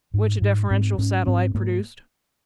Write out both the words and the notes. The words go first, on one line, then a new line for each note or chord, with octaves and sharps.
Which a deferential satellite produced.
G#2
G#2
G#2 C4
G#2 C#4
G#2 C4
G#2 A#3